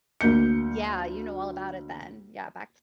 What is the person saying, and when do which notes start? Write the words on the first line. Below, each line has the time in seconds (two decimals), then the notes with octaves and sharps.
yeah, you know all about it then. Yeah, back
0.21 D2 A#3 G6 C#7